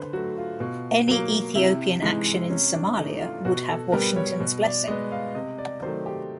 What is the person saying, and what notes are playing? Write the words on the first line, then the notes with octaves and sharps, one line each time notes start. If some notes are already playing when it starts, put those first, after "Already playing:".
Any Ethiopian action in Somalia would have Washington's blessing.
Already playing: D3 B4 C5
F#3 A3 F#4
F4
B2
F#3 A#3
C3 E4
E3 G#3 D#4
C3 C#4
D4
E3 A3 D#4
F4
B2 F#4
A4
G3 B3 A#4
C#5
B2
D5
G#3 B3 D#5
F5
C3 D#5
D5
D#3 F#3 A3 C5
G4